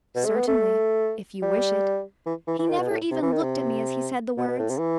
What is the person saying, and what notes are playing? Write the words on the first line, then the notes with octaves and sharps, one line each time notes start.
'Certainly, if you wish it.' He never even looked at me as he said the words.
B2
A3
B3
A3
G3
E3
E3
E3
D#3
B2
A2
C3
E3
D#3
C3
B2
B2
A2
C3
E3